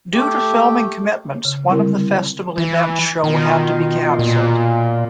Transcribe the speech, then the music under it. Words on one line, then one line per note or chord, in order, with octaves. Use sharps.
Due to filming commitments one of the festival events show had to be canceled.
A3 G4
C#3
D3 G3 C4 E4 A#4
E3
B2 D#3 F4
A#2